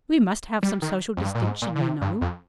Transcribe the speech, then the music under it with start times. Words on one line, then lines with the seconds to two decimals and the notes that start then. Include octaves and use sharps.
"We must have some social distinction, you know."
0.63 G3
0.82 D#3
1.17 F2
1.22 G2
1.35 A#2
1.42 G#2
1.62 A#2
1.76 D3
1.81 C3
2.01 G2
2.21 F2